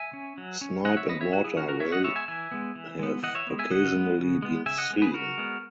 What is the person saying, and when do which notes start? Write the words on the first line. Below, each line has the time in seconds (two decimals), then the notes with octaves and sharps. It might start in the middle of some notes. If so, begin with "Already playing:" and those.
Snipe and water rail have occasionally been seen.
Already playing: E5 G#5
0.13 C#4
0.38 F#3
0.61 C#4
0.85 F#3 D#5 F#5
0.97 C#5 E5
1.09 C#4 B4 D#5
1.21 C#5 E5
1.32 F#3 F#4
1.44 E4 G#4
1.56 C#4 F#4 A#4
1.68 F#4 A#4
1.80 E3 C#5 E5
1.92 D#5 F#5
2.04 G#3 B3 C#5 E5
2.16 E5 G#5
2.28 E3 E5 G#5
2.52 G#3 B3
2.75 E3
2.99 G#3 B3
3.23 E3 D#5 F#5
3.35 C#5 E5
3.47 G#3 B3
3.59 E5 G#5
3.71 C#3 D#5 F#5
3.95 G#3 B3
4.18 C#3
4.42 G#3 B3
4.66 C#3 E5 G#5
4.78 D#5 F#5
4.90 G#3 B3
5.02 G#4 B4
5.14 C#3 F#4 A#4
5.38 G#3 B3